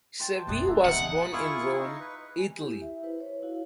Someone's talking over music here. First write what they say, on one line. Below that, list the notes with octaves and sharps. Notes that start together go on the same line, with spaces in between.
Cervi was born in Rome, Italy.
C5 G5 A5
A#1 F2 C3 D4 G#4
G#3 A#4 E5
C#3 E3 B3 D#4 G#4 F#5
E4 F4 G#4 C#6
D#4
B4
G#5
E4 G4
E5
E4 B4 C5
C#5
E4 F#4 F5